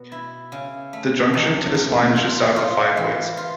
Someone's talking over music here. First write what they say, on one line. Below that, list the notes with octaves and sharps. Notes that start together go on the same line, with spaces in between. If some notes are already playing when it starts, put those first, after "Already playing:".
The junction to this line was just south of Five Ways.
Already playing: B2
E4
C#3
A3
E2
E2
F4
F4
E3
F4